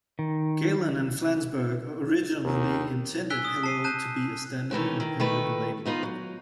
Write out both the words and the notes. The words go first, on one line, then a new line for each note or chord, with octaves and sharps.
Galen and Flansburgh originally intended Hello to be a standard independent label.
D#3
D#2
G#5 E6 F#6 B6 D7 G7
D#6
A5 C7 D#7
A5 F#6 G6 D#7
D#3 E3 A3 C#4
D#3
D#3 A3 B4
B3 D#4 F4 B4
F#3